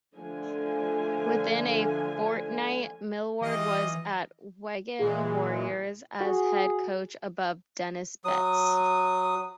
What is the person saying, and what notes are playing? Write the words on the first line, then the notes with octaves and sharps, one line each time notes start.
Within a fortnight, Millward was at Wigan Warriors as head coach above Denis Betts.
D3 F3 A3 G#5
E3 F4 G4 D#5
A#2 E3 G#3 G#4
F#4 G#4
F#3 D#6